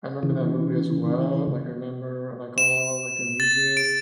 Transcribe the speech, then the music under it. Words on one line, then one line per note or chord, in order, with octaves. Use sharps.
I remember that movie as well, like, I remember, like, all, like, the music
C#3 E3
E7
A6
D7